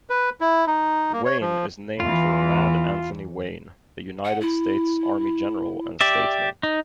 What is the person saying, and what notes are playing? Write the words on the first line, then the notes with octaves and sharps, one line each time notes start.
Wayne is named for Mad Anthony Wayne a United States Army general and statesman.
B4
E4
D#4
A#3
C#5
F3
E2 E3 F4
F#5
E4
G4 D5 E5
D#4